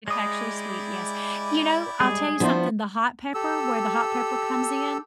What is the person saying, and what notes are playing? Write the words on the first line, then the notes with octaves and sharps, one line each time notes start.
It's actually sweet. Yes, you know, I'll tell you something, the hot pepper where the hot pepper comes in,
G#3 E4 G4 D5 D#6
G3 G#3 G#4
F3 B3 D4 E4 C5
G4 A4 E6